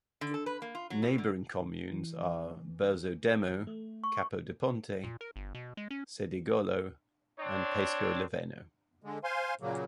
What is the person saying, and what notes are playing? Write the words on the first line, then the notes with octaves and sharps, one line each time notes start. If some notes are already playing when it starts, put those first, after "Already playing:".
Neighbouring communes are Berzo Demo, Capo di Ponte, Cedegolo and Paisco Loveno.
D3
A4
B4
A#3
F4
F#3
A2
D3
E3
A3
C#6
A#2
A#4
G1
B2
G#3
C#4
C4 D4 C#5
D3 G#3
C5 F5 G#5 C6
A#2 C#3 F#3 A#3